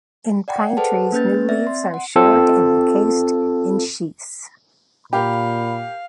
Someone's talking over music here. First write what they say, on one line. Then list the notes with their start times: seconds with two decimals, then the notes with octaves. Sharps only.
In pine trees new leaves are short and encased in sheaths.
0.48 D5 F#5 G5
0.77 G#4 A4 B4 C5 F#5 A5
1.12 A#3 C#4 B4 G6 A6
1.49 C4 D5 E5 A6
1.67 C6
1.94 F#5
2.16 C4 F4 A4
5.13 A#2 G4 A#4 F5 B5